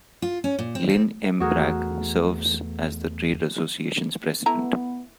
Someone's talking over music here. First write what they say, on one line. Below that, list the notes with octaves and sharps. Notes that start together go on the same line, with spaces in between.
Lynn M. Bragg serves as the trade association's President.
F4
C#4
A#2
C4
C4
E2 A3 F#4 G#4 A#4
A3 B3 E4 A#5